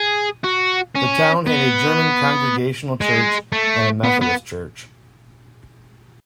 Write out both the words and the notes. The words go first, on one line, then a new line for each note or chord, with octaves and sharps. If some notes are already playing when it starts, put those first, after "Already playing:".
The town had a German Congregational church and a Methodist church.
Already playing: G#4
F#4
C#4
B3
G#3
A3
B3
B3